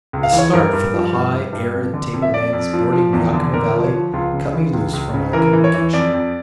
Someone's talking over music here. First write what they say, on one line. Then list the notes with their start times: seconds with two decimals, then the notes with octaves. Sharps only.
The start for the high, arid table-lands bordering the Yakima valley cut me loose from all communication.
0.13 C#2
0.23 F5
0.32 E3
0.38 C#5
0.53 G2 A#4
0.73 G2
0.94 F3
1.13 G2
1.34 G2
1.53 G2
1.73 F2
1.94 D3
2.13 F2
2.22 E5
2.33 F2 D5
2.53 F2
2.73 F3
2.93 F3
3.13 E2
3.33 D3
3.53 D3 A#4
3.74 F3
3.84 C#5
3.93 F3
4.13 C#2 F4
4.33 C#3
4.53 E3
4.73 C#2
4.93 C#2
5.14 C#3
5.33 E3 A#4
5.53 E3
5.64 C#5
5.74 E3
5.93 F2 D5
6.13 F2